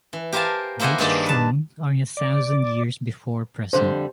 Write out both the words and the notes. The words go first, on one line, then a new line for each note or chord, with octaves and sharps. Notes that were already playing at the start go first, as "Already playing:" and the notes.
Dates shown are in thousand years before present.
E3
G4 A#4 C5 F5 G#5 A5
A#3 E4 C5 D#5 F#5 G#5
G2 D#3 A#3 G#4 D5
B4 A5
D5
F2 D3 G3 C5